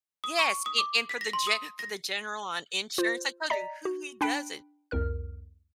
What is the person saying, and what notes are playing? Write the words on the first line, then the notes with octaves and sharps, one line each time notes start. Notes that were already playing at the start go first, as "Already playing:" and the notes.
Yes, and and for the ge for the general on insurance, I told you, who he doesn't
D#6
C#6
D#6
D6
B6
A#6
C6
D#6
A#6
F4 C5
D5 D#5 A#5 B6
F#4
D4 G5 B5 F#6 B6 D7
C2 F2 A#4 F6